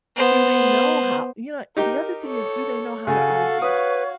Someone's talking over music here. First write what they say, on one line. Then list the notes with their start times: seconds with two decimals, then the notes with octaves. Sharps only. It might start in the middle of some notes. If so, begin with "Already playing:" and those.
do they know how you know, and the other thing is, do they know how to argue?
0.16 B3 C5
1.77 D#4 G4 A#4
2.24 A4 C#5
3.07 C#3 F#4 A4 F5 G#5
3.62 B4 C#5 D#6